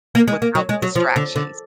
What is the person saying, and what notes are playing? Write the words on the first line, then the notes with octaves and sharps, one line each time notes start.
without the distractions.
A#3
G#3
A#3
F#3
G#3
F#3
F3
D3
D3